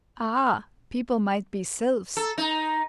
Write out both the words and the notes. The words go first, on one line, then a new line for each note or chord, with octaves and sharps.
Ah! people might be sylphs.
A4
D#4